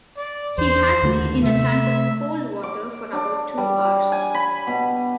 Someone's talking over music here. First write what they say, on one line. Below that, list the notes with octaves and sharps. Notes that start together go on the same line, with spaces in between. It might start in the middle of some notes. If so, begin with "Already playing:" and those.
He had me in a tank of cold water for about two hours.
D5
E2 C5
D#2 D3 A3
C3 A3 E5
D6
D4
G3
G#5
B5
B2